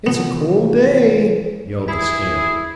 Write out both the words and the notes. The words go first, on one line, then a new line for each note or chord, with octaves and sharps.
"It's a cold day!" yelled the scamp.
C3 E3 F3 B3
E4 G#4 B5 G#6 B6